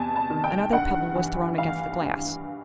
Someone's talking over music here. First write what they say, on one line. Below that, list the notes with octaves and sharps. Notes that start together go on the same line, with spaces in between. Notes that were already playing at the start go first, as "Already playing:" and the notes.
Another pebble was thrown against the glass.
Already playing: E2 C3 G#5 A5
A5
D#3
G5
G2 F#5
E3
E3 F5
G2